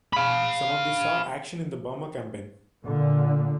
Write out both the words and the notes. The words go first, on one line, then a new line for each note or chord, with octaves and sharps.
Some of these saw action in the Burma Campaign.
F5 B5
A#2 D3